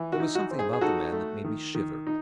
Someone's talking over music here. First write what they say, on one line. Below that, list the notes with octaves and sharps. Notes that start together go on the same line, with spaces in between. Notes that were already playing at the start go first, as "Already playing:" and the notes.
There was something about the man that made me shiver.
Already playing: E3
F#4
D#4
F#4
C4
G#4
G#4
D#4 F#4 A4
A3
D#3
D#3
D#4